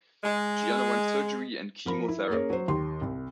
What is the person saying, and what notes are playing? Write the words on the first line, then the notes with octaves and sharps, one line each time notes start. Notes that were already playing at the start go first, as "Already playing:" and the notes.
She underwent surgery and chemotherapy.
G#3
F3 A#4 B5
E4
A#3 C#4 G#4 A#4 C#5
F#3 C5
D#2 G4 C6
C2